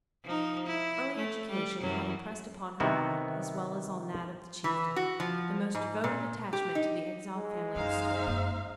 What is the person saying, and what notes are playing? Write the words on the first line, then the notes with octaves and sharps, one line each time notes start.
Early education had impressed upon her mind, as well as on that of the Chieftain, the most devoted attachment to the exiled family of Stuart.
F3 D#4
E4
A3
G3
F#2 E3 F#3
C3 D#3 B3 E4 F#4
E3
F#4
F3
G#2
A#2
G4
D#4
G#3
F#2 D#4 C5 F5
F#2 A#3